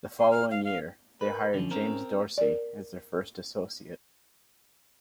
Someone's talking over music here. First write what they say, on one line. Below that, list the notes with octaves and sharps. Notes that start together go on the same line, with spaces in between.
The following year, they hired James Dorsey as their first associate.
C6
F6
F5
F5
A#4 B4
D3 F3 C#4
C4 A#4
A#4 D5